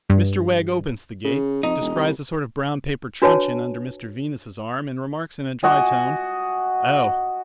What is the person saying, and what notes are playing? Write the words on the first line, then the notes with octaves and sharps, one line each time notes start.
Mr Wegg opens the gate, descries a sort of brown paper truncheon under Mr Venus's arm, and remarks, in a dry tone: 'Oh!
G2
C#3
F2 D#4
E1
C2
D4 F#4 B4 C#5 G#5 A5
F#4 D#5 G#5